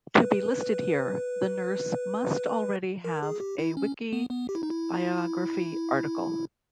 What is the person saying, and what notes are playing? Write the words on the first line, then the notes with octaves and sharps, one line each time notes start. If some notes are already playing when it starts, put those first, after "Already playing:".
To be listed here, the nurse must already have a Wiki biography article.
B4
A#4
G#4
G4
E4
C#4
B3
B3
G4
E4
D#4
E4